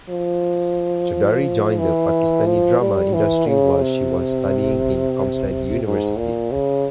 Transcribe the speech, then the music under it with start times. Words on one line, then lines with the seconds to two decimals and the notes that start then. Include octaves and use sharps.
Chaudhary joined the Pakistani Drama industry while she was studying in Comsat University.
0.09 F3
1.78 E3
2.45 F3
2.80 G3
3.13 E3
3.47 C#3
3.81 C3
5.84 G#2
6.17 A#2
6.51 C#3